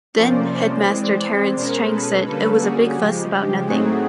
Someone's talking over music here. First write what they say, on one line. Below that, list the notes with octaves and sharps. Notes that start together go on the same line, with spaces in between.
Then-Headmaster Terence Chang said it was a "big fuss about nothing".
C3 F3 A#3 C#4 C5 D5
E3 G#3 C4
B2 G#3 C#4 A#4 C5
A4 B4
D3 G3 A#3 C#4 A4 B4
F#4 G#4
C#3 F3 G#3 G4
G4
A2 F#3 A3 C4 D#4 F#4 G#4